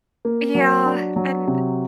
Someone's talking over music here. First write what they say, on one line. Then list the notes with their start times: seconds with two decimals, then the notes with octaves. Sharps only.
Yeah, and,
0.25 A#3
0.55 F#3
0.86 D4
1.16 F#3
1.47 C3